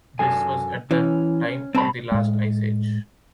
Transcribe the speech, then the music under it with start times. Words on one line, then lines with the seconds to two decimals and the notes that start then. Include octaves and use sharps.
This was at the time of the last ice age.
0.19 F#2 A4 G#5
0.91 E3 C#4
1.75 C2 C4 A5 B5
2.12 A2 G#3